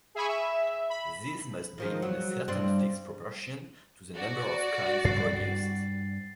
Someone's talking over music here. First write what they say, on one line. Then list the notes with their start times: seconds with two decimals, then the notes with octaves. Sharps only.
These must be in a certain fixed proportion to the number of coins produced.
0.15 G#4 E5 G#5 B5 C#6
0.28 E5
0.90 B5
1.78 D#3 F3 G#3
2.02 F#3
2.48 G2 C4 D5
4.15 F#4 D5
5.04 G2 G3 C4 A6 C7